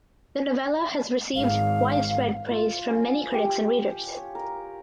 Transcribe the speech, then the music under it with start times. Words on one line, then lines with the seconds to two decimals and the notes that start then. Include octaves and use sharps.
The novella has received widespread praise from many critics and readers.
1.36 G#1 F5
2.51 F4
2.89 C#4
3.34 G4
4.17 C#5
4.35 A#4